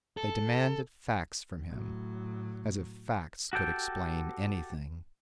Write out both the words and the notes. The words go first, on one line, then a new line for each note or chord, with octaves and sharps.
They demanded facts from him, as if facts could explain anything!
A4
A2 F#3
F#4 G4 A4 G5